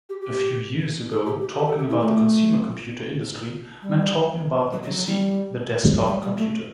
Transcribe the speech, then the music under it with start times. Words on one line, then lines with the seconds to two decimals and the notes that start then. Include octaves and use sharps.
A few years ago, talking about the consumer computer industry meant talking about the PC, the desktop computer.
0.09 G4
0.21 G4
1.11 A4
1.26 G4
1.41 G4
1.56 G4
1.67 A4
1.78 G4
1.89 E4
2.01 A3
3.82 G3
4.72 F#3
4.83 F#3
4.95 F#3
5.06 G3
6.07 G3
6.22 G3
6.37 A3